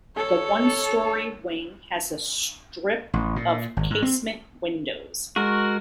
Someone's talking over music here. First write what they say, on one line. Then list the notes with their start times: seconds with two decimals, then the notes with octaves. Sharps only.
The one story wing has a strip of casement windows.
0.16 A4 C#5
3.14 A1
3.36 A#2
3.77 G#1
3.90 G#2
4.03 C4
5.36 G#3 F#4 A#4